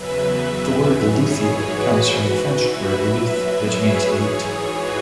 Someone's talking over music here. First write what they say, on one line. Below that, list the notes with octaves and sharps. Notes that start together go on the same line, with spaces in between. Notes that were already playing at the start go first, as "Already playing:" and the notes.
The word "luthier" comes from the French word "luth", which means lute.
Already playing: E2 C#3 F#3 B4 E5
B4 E5
G#2 E3 G#4 C#5
F#4 B4
G#2 E3
B4 E5
F#2 F#3
G#4 C#5
G#2 E3
F#4 B4